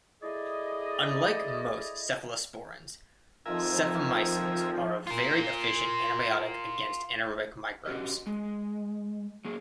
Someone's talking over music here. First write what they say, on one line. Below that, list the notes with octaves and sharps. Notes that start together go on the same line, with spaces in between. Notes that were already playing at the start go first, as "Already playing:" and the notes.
Unlike most cephalosporins, cephamycins are a very efficient antibiotic against anaerobic microbes.
A3 E4 G#4 D5 D#5
F2 D#3 F3 A#4 E5 G#5
F4 A#4
C#4 F#4 G4 D#5
G#3
F#3 A#3 G#4